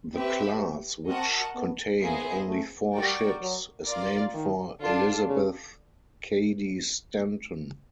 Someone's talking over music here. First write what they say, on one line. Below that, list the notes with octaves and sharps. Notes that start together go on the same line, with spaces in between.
The class, which contained only four ships, is named for Elizabeth Cady Stanton.
C4 G4 B4 E5
C4 F#4 A#4 D#5 F#5 A5
B3
A#3 B3 E4 G#4 C5 D#5
A3
G3 F#4 A#4 D5 G5
F#3
F4 A#4 D5
D#3
D3 D4 F4 A4
C#3